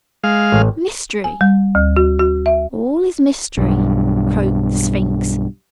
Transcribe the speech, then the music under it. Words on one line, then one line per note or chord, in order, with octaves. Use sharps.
"Mystery, all is mystery," croaked the Sphinx.
G#3 F5
A1
G#5
G3
D2
F#4
F#4
E5
B1 G2